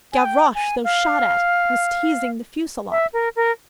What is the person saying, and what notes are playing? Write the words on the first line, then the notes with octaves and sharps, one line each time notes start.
Gavroche, though shot at, was teasing the fusillade.
G#5
G5
G#5
F5
E5
A#4
A#4